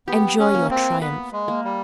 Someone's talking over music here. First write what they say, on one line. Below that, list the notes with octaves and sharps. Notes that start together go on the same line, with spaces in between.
Enjoy your triumph!
B3 G4
C#4
A#3
C4
B3 B4
G#3
A#3
G3